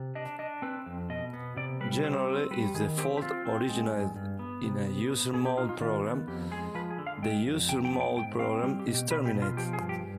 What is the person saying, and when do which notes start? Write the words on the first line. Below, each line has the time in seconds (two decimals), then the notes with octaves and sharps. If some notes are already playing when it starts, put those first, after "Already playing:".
Generally, if the fault originated in a user-mode program, the user-mode program is terminated.
Already playing: C3
0.15 D4 D#5
0.39 D4 D#5
0.62 C4 B4
0.86 F2
1.10 B2 D#5
1.33 B3
1.56 C3 D5
1.80 G3 B4
2.04 C4 C5
2.28 C4
2.51 G3 B4
2.74 D#3 G#4
2.98 C4 G4
3.17 G4
3.22 C4 F4
3.45 C4
3.69 G#3
3.92 G2
4.16 G2
4.39 B3
4.63 C3
4.87 B3
5.10 B3
5.33 B2 G#4
5.46 G4
5.57 D#4 F4
5.69 F4
5.81 D#3 F4
6.04 B3
6.28 F2 G4
6.51 G#3 G#4
6.75 F3 B4
6.90 G#4
6.98 D3
7.07 F5
7.22 G#3 G5
7.46 F2
7.69 C3 G5
7.85 G5
7.93 B3
8.01 G5
8.16 G#2 G5
8.39 C4 F5
8.63 G3 G4
8.79 G4
8.87 B2
8.95 G4
9.10 B2 B4
9.26 G4
9.35 B2
9.42 F4
9.57 F3 G4
9.73 G#4
9.81 G2
9.89 G4